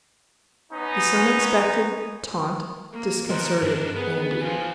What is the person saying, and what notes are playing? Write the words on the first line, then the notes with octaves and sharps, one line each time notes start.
This unexpected taunt disconcerted Andy.
B3 C#4 D#4
A#3
D#2 F3 A#4 D#5 F#5 C6
G2 C#4 D4
B3 G#4 B4
D#3 F3 F4 G#5